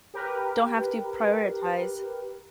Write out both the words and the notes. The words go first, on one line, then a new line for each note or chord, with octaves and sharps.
don't have to prioritize.
G4 A#4 B4